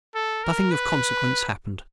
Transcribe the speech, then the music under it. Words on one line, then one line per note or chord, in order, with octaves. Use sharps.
Nothing of consequence hapened.
A4
A#4
B4